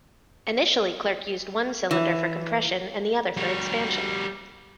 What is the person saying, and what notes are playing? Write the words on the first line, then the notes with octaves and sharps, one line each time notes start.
Initially Clerk used one cylinder for compression and the other for expansion.
E3
G3 F#4